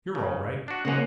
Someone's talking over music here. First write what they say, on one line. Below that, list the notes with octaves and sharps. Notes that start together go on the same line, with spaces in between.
You're all right!
C#3
D4 F#4
G#2 C#3 A#3 C#4 F#5